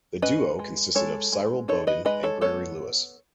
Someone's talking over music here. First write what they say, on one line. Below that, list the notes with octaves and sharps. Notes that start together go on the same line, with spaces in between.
The duo consisted of Cyril Bodin and Gregory Louis.
C#4 B4 D#5
G#3
G#3 A4 C#5
G#3
D#4 A4 C#5
B4 D#5
G#3 B4 D#5
A4 C#5
B3 A4 C#5